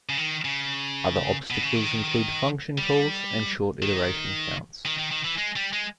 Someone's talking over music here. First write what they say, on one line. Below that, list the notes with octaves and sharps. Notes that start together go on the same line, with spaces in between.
Other obstacles include function calls and short iteration counts.
C#3
D#3
C#3
B2
C#3
D#3
G3
D#3
D#3
D#3
D#3
E3
G#3
G3
G#3